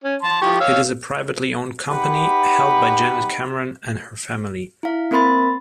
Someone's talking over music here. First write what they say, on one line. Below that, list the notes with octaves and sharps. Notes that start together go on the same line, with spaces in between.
It is a privately owned company, held by Janet Cameron and her family.
C#4
A5 C6
F3 G4 C#6
C#5 F5 E6
D#4 G4 B4 F#5 B5
E4 F5
A#3 C4 A#4 B5 C6 A6